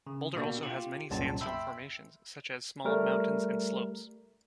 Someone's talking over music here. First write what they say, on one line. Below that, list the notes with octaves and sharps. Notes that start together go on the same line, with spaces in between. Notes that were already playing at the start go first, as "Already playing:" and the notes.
Boulder also has many sandstone formations, such as small mountains and slopes.
C#3
B2 A#3 D4 G4
F4 G4
C2 F#2 A#2 A5
E5 G5 B5 C6 E6
G3 A3 A#4